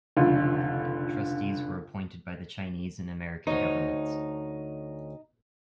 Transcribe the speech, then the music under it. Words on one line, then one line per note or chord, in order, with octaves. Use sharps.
Trustees were appointed by the Chinese and American governments.
F1 C#2 D3 F4
D2 D#4 C#5